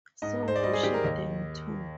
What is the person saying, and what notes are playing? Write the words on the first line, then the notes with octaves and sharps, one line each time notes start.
So worship them too!
G#2 D#5
G#2
C5
D5
G3 D#5
G#4
D#3 G4
A#4
D#2 D#5